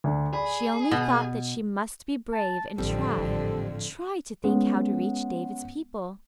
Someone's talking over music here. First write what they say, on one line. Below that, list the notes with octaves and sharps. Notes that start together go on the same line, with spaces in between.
She only thought that she must be brave and try--try to think how to reach David's people.
D2 D4
G#4 D5 B5
B2
A5
A1 F2 D3 G3 C4 A4
A1 G#2
G#3 B3 C#4